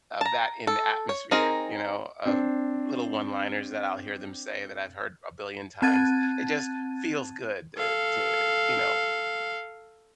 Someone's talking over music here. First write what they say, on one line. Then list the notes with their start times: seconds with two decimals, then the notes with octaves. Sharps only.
of that in the atmosphere, you know, of little one-liners that I'll hear them say that I've heard a billion times. It just feels good to to, you know,
0.21 A5 A#5
0.67 A4
1.09 C#5
1.31 C4 D#4 G#4 A#4
2.25 C4 D4
5.82 C4 A5 F#6 G#6 A6 D#7
7.77 A4 F5